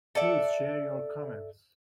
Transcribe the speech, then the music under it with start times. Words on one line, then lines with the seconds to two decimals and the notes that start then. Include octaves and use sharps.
Please share your comments.
0.15 A4 D5 E5 F#5